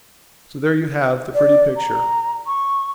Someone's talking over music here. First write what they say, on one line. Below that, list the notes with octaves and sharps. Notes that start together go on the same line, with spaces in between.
So there you have the pretty picture.
D5
A#5
C#6